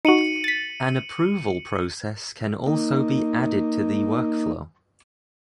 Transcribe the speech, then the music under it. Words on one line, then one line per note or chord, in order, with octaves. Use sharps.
An approval process can also be added to the workflow.
D#4 F#4 C#7 D#7 F#7
A6 B6
A#3 D#4